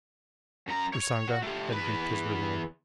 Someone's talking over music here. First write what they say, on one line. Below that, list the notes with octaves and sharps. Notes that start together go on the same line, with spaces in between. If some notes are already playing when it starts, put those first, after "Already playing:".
Usanga had reaped his reward.
F#2 A#5
C#5
F#4
A3 G4
E2 B4